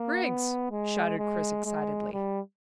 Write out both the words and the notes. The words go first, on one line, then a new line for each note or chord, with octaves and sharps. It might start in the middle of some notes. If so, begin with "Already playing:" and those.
"Griggs!" shouted Chris excitedly.
Already playing: A#3
B3
G#3
G#3
G#3
G3